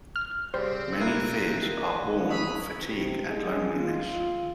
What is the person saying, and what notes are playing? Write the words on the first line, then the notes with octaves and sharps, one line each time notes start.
Many fears are born of fatigue and loneliness.
F6
C#3 G3 C4 C5
A#3 E4 A#4 F#6 G#6 D#7
D#3
B5 C#6 D#6 E6
C3
G#3
F4